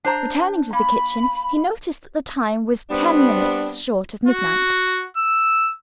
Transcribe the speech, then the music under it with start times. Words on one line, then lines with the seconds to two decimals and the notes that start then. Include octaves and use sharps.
Returning to the kitchen, he noticed that the time was ten minutes short of midnight.
0.05 D4 C5 A#5
0.73 A#3 B5
2.90 G3 B3 C4 D4
4.28 F#4
5.17 E6